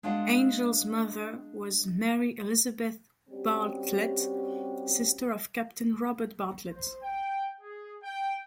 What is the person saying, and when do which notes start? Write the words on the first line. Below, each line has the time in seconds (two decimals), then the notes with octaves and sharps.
Angel's mother was Mary Elizabeth Bartlett, sister of Captain Robert Bartlett.
0.03 G#3 D4 F4 F#4 F#5
3.29 G3 C4 C#4 F#4 G4
6.72 C5
7.03 G5
7.61 G#4
8.04 G5